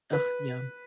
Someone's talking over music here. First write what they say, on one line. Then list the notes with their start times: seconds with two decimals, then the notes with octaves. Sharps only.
Ah, yum.
0.13 B4